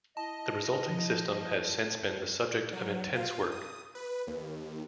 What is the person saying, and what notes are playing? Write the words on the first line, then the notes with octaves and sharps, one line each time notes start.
The resulting system has since been the subject of intense work.
E4 D#5 A5
F3
F#3
F4
D#6
B4
D#2